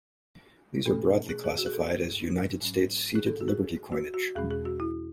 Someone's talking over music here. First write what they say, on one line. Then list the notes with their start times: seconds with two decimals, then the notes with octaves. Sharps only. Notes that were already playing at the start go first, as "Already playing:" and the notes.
These are broadly classified as United States Seated Liberty coinage.
0.86 B2 A3 C#4 A4
1.29 G#4
1.44 G#4
1.58 F#4
1.66 G#4
1.73 A4
2.61 G#2 F#3 C#4
3.15 G#4
3.27 A4
3.41 F#4
3.48 G#4
3.92 F#4
4.14 F#4
4.35 E2 B2 G#3 C#4 G#4
4.51 G#4
4.65 F#4
4.80 E4